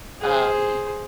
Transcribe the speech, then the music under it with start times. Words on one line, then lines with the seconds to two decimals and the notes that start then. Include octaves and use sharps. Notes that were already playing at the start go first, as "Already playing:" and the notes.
um, y
0.21 G#4 C5